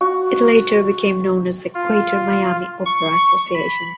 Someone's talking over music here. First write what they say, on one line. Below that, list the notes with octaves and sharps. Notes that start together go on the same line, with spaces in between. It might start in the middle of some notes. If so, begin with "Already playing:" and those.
It later became known as the Greater Miami Opera Association.
F#4
F4
C#6
B5